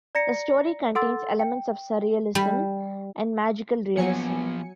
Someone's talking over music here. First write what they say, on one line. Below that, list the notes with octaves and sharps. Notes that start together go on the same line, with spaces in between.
The story contains elements of surrealism and magical realism.
D5 A#5 A#6 C#7
A4 F#5 C6 E6 A6
G5
G3
F3 F#3 A#3 B3 G#5 C#7